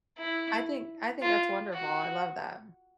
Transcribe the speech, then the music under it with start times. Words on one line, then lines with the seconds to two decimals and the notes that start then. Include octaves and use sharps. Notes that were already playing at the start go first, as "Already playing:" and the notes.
I think I think that's wonderful, I love that.
0.18 E4
1.22 F4
1.74 F#4